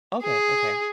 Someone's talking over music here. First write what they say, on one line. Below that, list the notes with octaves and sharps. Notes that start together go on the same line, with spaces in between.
Okay, okay.
G#4